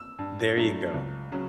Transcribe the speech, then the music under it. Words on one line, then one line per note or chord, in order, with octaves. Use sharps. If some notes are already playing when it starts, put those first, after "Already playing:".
There you go.
Already playing: E6
G2
F#3 A3 D4
C#2
C#3 F#3 C#4